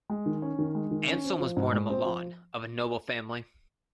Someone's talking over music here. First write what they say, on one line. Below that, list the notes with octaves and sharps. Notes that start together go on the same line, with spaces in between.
Anselm was born in Milan of a noble family.
G#3
D#3
C#4
D#3
G#3
D#3
C#4
C4
F3
G#2
G#3
C4
F3